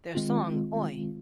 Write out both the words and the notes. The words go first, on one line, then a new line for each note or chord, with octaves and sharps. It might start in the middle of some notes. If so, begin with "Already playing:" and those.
Their song Oi!
D#3 G#3 C4 F4